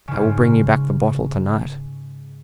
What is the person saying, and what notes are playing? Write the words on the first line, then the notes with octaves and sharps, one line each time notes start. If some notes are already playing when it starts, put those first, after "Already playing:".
"I will bring you back the bottle to-night."
G#2 C#3